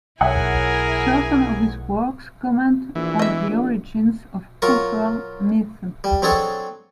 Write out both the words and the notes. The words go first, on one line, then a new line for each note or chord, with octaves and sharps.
Certain of his works comment on the origins of cultural myths.
B1 E4 G#4 A#4 C#5 E5 F#5 G#5
A#1 E3
E1 D#5 E5
A#1
F#3 F4 A#4 C#6
G3
F#3 C4 D4 G#4 A4 C#5